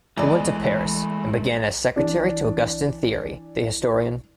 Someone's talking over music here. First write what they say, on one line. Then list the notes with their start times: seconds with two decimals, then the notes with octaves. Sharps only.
He went to Paris and began as secretary to Augustin Thierry, the historian.
0.17 E2 E3 G#3 A3 D5 D#5 G#5
1.96 E3 D4